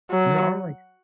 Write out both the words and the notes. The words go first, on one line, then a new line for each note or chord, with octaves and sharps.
and there are, like
F#3